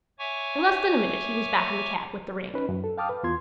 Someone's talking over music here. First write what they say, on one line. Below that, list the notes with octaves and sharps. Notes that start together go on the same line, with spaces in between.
In less than a minute he was back in the cab with the ring.
C#5 E5 G#5 C#6 D6
C#4 D#4 B4
F#2
A4
F5 G5 A5 D6 D#6 F6
B4
E2 B3 F4 C6 G#6